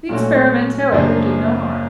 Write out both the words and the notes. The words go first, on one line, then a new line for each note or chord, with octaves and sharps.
The experiment, however, did no harm.
A#2 F#3 A3 C#4 F#4
F#2 C#3 F3 A#3 D4